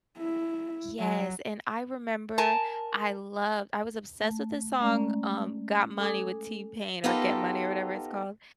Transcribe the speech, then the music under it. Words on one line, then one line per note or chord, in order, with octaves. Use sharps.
Yes, and I remember I loved I was obsessed with the song, um, Got Money with T-Pain or Get Money or whatever it's called.
E4
F#3
A#4 G#5 A5
A3
G#3 A3 C#4 D5 A#5
A4 G#5 D6 D#6 G#6
B3 D#4 F4 G4 A4 A#4